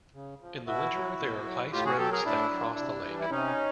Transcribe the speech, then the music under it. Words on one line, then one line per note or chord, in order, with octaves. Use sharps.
In the winter, there are ice roads that cross the lake.
C#3
F3
B2 E4 F#4
F#3
B2
F#3
A2 F4 G4
F#4 G#4
F#3 G4 A4
G#4 A#4
A2 D4 E4
F#3
C3
E3 G3
E4
C3 C#4 D#4